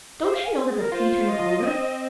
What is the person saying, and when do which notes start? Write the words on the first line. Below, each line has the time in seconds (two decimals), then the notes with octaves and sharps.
"Don't you know that the sea turned it over?"
0.22 C5
0.34 F5
0.45 G#5
0.69 G#4
0.80 A#4
0.92 F4 C5
1.28 D#5
1.62 C4